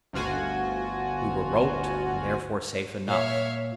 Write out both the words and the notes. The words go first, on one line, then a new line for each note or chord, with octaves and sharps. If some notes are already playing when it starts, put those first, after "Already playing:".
We were roped, and therefore safe enough.
G1 D2 F4 F#4 G#5
A#2 C#5 E5 F5